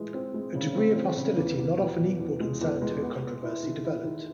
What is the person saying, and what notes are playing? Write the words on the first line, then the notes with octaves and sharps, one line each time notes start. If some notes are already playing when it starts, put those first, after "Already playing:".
A degree of hostility not often equaled in scientific controversy developed.
Already playing: E3 G#3
C4
G#3
C#3
C4
C4
C#3
E2
E2
B2
B2
E2
G#3
E2
G#3
B3
B3
E4
D#3
E4
D#3